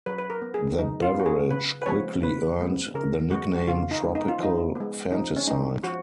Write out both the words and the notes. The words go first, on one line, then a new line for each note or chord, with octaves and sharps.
The beverage quickly earned the nickname Tropical Fanticide.
F#3 B4
B4
A#4
B3
G#4
F#3 D#4
F4
B3
F#4
G#4
C#3 B4
B4
F3 G#3 B3 C#5
C#3 B4
F3 G#3 B3
C#3 A#4
G#3 B3 F#4
F#4
C#3 F4
D#4
G#3 B3
D#4
F4
F3 D#4
G#3 B3
F3 D#4
C#4
G#3 B3 D#4
F3 F#4